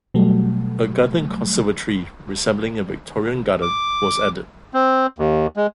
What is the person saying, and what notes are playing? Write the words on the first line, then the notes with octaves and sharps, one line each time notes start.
A Garden Conservatory resembling a Victorian garden was added.
B2 F#3 G3 A3
D6
C4
D#2
G#3